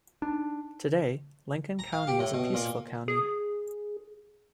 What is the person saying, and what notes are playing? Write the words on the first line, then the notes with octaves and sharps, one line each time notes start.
Today, Lincoln County is a peaceful county.
D4 D#4
A#5
F5
G4
A2
B2
A#2
G#4